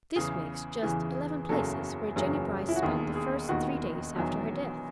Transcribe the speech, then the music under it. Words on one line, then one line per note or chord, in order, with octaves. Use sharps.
"This makes just eleven places where Jennie Brice spent the first three days after her death."
E2 C#3 E3 G#4
E2 C#3 E3
F#1 E2 C#3 F#3 A4
F#1 E2 C#3 F#3
E4
F#4
E1 D#2 D#3 G#4
G#4
E1 D#2 D#3 F#4
E1 E2 D#3 F#3